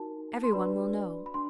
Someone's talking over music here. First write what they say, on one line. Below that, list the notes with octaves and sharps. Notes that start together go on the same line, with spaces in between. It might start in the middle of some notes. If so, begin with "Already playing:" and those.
Every one will know.
Already playing: D#4 F#4 A#4 A5
C6
D4 F#4 B4 D5 B5
B5
D4 C6